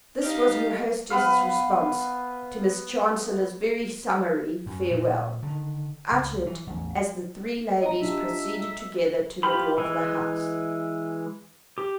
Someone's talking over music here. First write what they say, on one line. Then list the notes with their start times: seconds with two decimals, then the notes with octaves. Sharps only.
This was her hostess's response to Miss Chancellor's very summary farewell, uttered as the three ladies proceeded together to the door of the house.
0.23 D#4 G4 D#5 F5
1.10 B3 B4 F5
4.66 F#2
4.90 A#2
5.43 D3 D#3
6.12 C#2
6.46 E3
6.67 A1 E2
7.82 D#5 A#5
8.01 D4 F4 G4 E5
9.43 F4 G4 B5
9.78 E3 G#3
11.78 G4